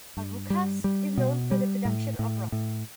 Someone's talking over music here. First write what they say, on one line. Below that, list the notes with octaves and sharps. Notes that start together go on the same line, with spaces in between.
Arucas is known for the production of rum.
G2
G3
G3
B2
G3
A2
A2
A2